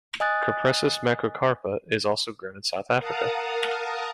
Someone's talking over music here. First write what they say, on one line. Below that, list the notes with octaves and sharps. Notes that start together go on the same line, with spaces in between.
"Cupressus macrocarpa" is also grown in South Africa.
D#5 G#5 D#6 F#6 A6
A#4 F5 F#5 A5 A#5 D#6